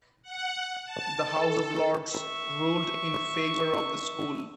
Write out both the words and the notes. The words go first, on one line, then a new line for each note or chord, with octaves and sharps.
The House of Lords ruled in favour of the school.
F#5
A5
A4
E5 C#6